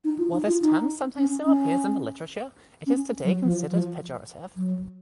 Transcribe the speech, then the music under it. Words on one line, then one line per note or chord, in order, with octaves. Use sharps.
While this term sometimes still appears in the literature, it is today considered pejorative.
D#4
F4
D#4
F4
D#4
C#4
C#4
C#4
F#3
F3
F3
F#3